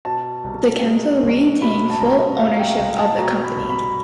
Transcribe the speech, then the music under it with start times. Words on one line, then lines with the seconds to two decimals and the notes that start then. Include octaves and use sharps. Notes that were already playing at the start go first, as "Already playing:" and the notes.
The council retained full ownership of the company.
0.05 B2 A5
0.44 C2
0.83 G#3
1.22 C2
1.61 B2 B5
1.90 A5
2.01 C2 A#5
2.39 G#3 F5
2.59 G5
2.79 C2
2.98 A5
3.17 B2 A#5
3.44 B5
3.56 C2
3.70 B5